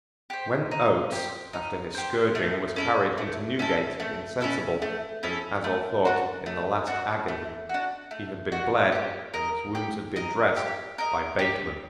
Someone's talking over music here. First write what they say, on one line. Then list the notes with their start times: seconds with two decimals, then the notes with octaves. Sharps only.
When Oates, after his scourging, was carried into Newgate insensible, and, as all thought, in the last agony, he had been bled and his wounds had been dressed by Bateman.
0.30 G4 C5
0.71 D#4
1.12 G4 C5
1.53 D#4
1.94 G4 C5
2.35 A3
2.76 C#4 E4 A4
3.18 A3
3.59 C#4 E4 A4
4.00 A3
4.41 C#4 E4 A4
4.82 A3
5.23 C#4 E4 A4
5.64 A3
6.05 D4 F#4
6.46 A3
6.87 D4 F#4
7.28 A3
7.69 D4 F#4
8.11 A3
8.52 D4 F#4
8.92 G4
9.34 A#4 D#5
9.75 G4
10.16 A#4 D#5
10.56 G4
10.98 A#4 D#5
11.39 G4